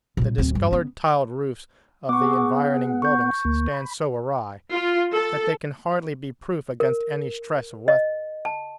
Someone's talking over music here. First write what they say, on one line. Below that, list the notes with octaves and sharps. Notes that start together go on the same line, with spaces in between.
The discoloured tiled roofs of the environing buildings stand so awry, that they can hardly be proof against any stress of weather.
A#2 G3
D1 C4
G2
B3 C#4
B3 F#5 C#6 D6
G#4
C#6 G6
D2 A#3
B5
F4
A4
A#4
D#5
A5